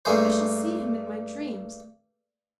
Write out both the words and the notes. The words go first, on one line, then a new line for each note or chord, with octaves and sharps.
I shall see him in my dreams.
G2 A3 A#3 G#4 C5